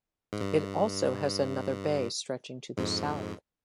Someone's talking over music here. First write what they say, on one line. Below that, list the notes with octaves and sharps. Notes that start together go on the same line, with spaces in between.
It also has another bay stretching to the south.
G#2
G2
F2 G#2